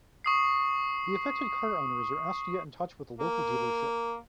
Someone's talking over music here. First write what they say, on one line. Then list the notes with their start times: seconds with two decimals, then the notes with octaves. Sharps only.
The affected car owners are asked to get in touch with a local dealership.
0.24 C#6 D#6 C7
3.19 A#3